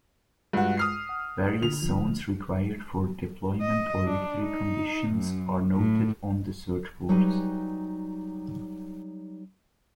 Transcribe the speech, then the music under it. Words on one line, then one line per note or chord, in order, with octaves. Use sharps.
Various zones required for deployment or victory conditions are noted on the search boards.
G2 G#3 F4 F#4
D#6 F6 C7
F#5
D3 F7
D3 F3
D#5
D4
D#4
F#2
A2
F#3 G3 D#4 G4 B4 G#5